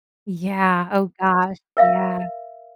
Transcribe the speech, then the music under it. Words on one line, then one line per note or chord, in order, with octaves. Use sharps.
Yeah, oh, gosh, yeah.
A#4 E5 F5